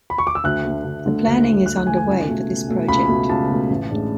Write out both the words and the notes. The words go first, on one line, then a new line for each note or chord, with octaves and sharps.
The planning is underway for this project.
B5
C#6
D6
E6
D2 F#6
D3 A3
D2
D3 A3
D2
D3 A3
D2 F#6
F#6
D3 A3 G#5
G#5
C#2
B2 A3
C#2
B2 A3
C#2 B5
B2 A3
C#2 A5
B2 A3
A1
A2 G#3 D4